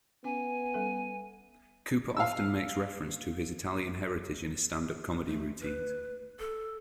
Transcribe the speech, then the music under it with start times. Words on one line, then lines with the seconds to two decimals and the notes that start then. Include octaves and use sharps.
Cooper often makes reference to his Italian heritage in his stand up comedy routines.
0.24 B3 C#4 G#5
0.74 G3 C#4 A4
2.17 F5 E6
5.28 A3
5.61 B4
6.39 A4